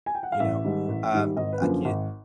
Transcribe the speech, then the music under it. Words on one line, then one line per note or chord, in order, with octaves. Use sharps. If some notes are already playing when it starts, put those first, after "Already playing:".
you know? Um, I can't
G#5
G5
F#5
F5
A1 E5
G#2 D#3 G3
A1
G#2 D#3 G3
G#1 D#5
B4
F#2 D3 F3 A#3
G#1